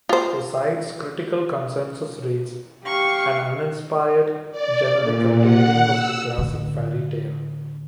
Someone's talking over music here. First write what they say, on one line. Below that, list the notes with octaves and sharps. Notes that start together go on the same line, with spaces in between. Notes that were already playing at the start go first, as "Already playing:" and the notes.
The site's critical consensus reads, An uninspired, generic updating of the classic fairy tale.
F4 C5
G4 F5 C#6
D5
A#2
F#5
E6
A2 D3